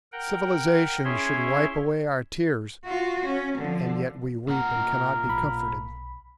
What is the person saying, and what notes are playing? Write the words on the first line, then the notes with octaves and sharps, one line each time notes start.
Civilization should wipe away our tears, and yet we weep and cannot be comforted.
A#4 F#5 G5
C#4 E4 G#4 C#5 E5 C6
F4 F#4
C#4
D3 F3
A#2 A#4 F#5
B1 B5